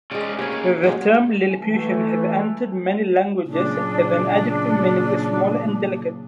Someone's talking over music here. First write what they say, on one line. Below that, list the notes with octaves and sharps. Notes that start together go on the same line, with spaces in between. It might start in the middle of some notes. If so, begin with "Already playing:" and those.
The term "Lilliputian" has entered many languages as an adjective meaning "small and delicate".
G#3 C4 C#4 G#4 D5
A#3 C#4 G4 G#4 C#5
C#5
A#2 F#3 G#3 G4
E3 A3
A#2 C#3 F#3 D4